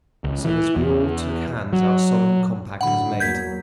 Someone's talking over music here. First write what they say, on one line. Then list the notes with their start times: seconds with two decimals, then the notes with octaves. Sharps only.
So as we all took hands our solemn compact was made.
0.24 C#2
0.44 E3
0.76 E2
1.73 F#3
2.81 A2 D3 F#3 F#5 B5
3.20 E2 F#3 A#3 G6 G#6 B6